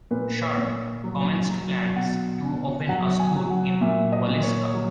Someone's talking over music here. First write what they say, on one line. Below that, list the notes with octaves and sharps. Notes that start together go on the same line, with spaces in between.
Sharp, commenced plans to open a school in Waleska.
A#2 B4
C#5
A#2
F#3
F#3
B2 F#5
B2
F#3 F#5
G#5
F#3
F#5
A#2 E5
D#5
A#2
C#5
F#3